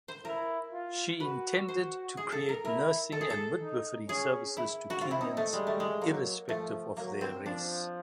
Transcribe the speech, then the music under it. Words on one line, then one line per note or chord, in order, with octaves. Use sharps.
She intended to create nursing and midwifery services to Kenyans irrespective of their race.
C5
E4 A#4
F4
F#4 B4
C5
G#4
A4
A#4
E4 A#4
A4
G#4
A4
D#4
C#4 G#4
E4
F#4
C4 F4
E4
D#4
A3
G3 G#3
A3
G#3
F#3 A#3
F3 A3
F#3 A#3
C4
F3 D4